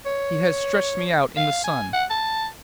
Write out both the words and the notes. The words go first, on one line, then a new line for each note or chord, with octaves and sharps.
He has stretched me out in the sun.
C#5
F5
G#5
F#5
A5